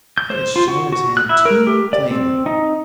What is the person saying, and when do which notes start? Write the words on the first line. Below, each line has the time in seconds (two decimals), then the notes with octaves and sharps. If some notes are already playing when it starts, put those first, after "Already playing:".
He has shown his hand too plainly.
0.18 G6
0.30 C5
0.56 F4
0.68 F#4
0.92 F#4
1.17 F#6
1.29 E4
1.45 A#4
1.67 G4
1.93 D5
2.11 C4
2.46 D#4